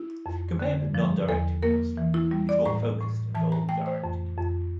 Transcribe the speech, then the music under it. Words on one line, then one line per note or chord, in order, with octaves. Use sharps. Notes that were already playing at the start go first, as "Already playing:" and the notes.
Compared with non-directive counseling, it's more focused and goal-directed.
Already playing: E4
F2
D3
F3
E2 A4
A#3 A#4
E3
E4
G3
D5
A2 A#5
A2
E3 A5
A#5
A3 G5
C5
F2
F2